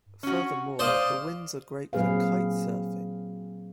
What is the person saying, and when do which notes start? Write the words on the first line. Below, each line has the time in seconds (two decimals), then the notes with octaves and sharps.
Furthermore, the winds are great for Kitesurfing.
0.23 C#4 F#4
0.79 C5 D5 D#5 F5
1.93 A#2 F#3 C4 G#4 B4 F5